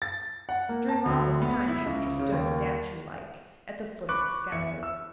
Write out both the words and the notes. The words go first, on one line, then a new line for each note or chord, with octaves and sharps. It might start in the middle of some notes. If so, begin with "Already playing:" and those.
During all this time, Hester stood, statue-like, at the foot of the scaffold.
A6
F#5
A#3
A5
D2
B3
E4
C#2
C#3
D#2
B5 C#6 D6 F#6
E2 E5 C#7
E6